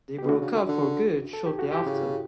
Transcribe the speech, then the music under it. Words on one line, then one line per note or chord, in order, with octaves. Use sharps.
They broke up for good shortly after.
B2 G4
A2 D4 F#4
C#3
D3
D3
A4
G4
F#4
E4 G4
C#3